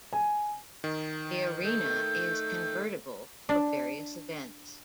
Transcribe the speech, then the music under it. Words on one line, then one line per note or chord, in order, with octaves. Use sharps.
The arena is convertible for various events.
G#5
D#3
A3 G6
D4